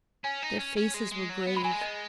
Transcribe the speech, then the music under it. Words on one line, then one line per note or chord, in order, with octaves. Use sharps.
Their faces were grave.
C#4 G#5
D#4
C#4
C#4
G#3
G#3
F#3
B3
G#3 B5
F#3 G#5
G#3
D#5